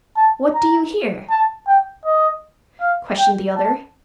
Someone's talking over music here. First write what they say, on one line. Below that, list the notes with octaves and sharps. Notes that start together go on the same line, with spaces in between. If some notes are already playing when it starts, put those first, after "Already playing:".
'What do you here?' questioned the other.
A5
A#5
A5
G5
D#5
F5
G5
A5